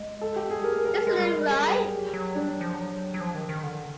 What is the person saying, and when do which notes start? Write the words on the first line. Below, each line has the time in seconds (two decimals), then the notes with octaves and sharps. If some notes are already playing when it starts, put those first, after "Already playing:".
Isn't it right?
Already playing: G#3
0.21 A4
0.36 G4
0.50 G#4
0.59 G3
0.64 G#3 A#4
0.75 A#3
0.85 G#3 A#4
0.96 G3
1.07 G#3
1.18 G3
1.28 G#3
1.39 G3
1.50 G#3 G#4
1.60 G3
1.71 G4
1.93 F#3
2.13 F#3
2.35 G3 D4
2.48 F#3
2.61 F3
2.74 F#3
3.14 F#3
3.20 F3
3.35 D#3
3.49 D#3
3.63 D3